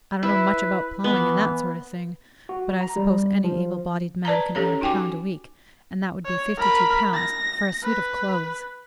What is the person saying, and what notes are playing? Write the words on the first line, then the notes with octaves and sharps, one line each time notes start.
I don't know much about plowing and that sort of thing, but I suppose any able-bodied man can earn a pound a week, and that would be fifty-two pounds for a suit of clothes.
E4 B4
E3 B3
F#4
A#5
G3
F3
B4 D5 A5 A#5
C#4 G4 A4 C#5 A#5
D#4 F#4 G5 G#5 D6
C#5
A#4 B5
A#6
B4